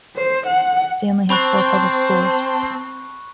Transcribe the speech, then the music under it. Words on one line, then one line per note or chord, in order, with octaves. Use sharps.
Stanley has four public schools.
C5
F#5
C4 C5 A5 B5 C#6 F#6